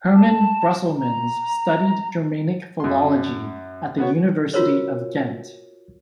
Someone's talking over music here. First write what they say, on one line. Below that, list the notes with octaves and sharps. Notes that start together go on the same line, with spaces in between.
Herman Brusselmans studied Germanic philology at the University of Ghent.
A5
A#5
F#2 C6
B3 F#4 C#5
F4 F#4 A#4 C5 C#5